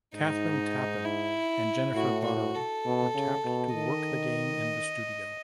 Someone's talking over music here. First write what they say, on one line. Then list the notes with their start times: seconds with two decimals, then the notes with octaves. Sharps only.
Kathryn Tappen and Jennifer Botterill were tapped to work the game in the studio.
0.15 G#2 D#4
1.05 E4
1.94 A2 F#4
2.24 F#4
2.55 A4
2.85 B2
3.15 C#3
3.45 B2
3.74 D#3 D#5